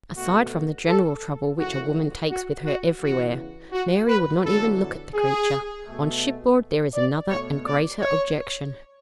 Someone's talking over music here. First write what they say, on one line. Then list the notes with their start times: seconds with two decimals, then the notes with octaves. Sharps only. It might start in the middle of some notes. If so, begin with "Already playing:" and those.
Aside from the general trouble which a woman takes with her everywhere"--Mary would not even look at the creature--"on shipboard there is another and greater objection.
0.14 B2 A3 F#4
0.87 A4
1.57 F#2 C#3 E3 A3 F#4
2.29 F#4
2.65 F#4
3.00 E2 C#3 E3 F#4
3.72 F#4
4.07 B4
4.42 E2 D3 F#3 A4
5.15 G#4
5.86 B2 A3
6.93 D5
7.28 B2 A3 C#5
7.65 D5
8.00 C#5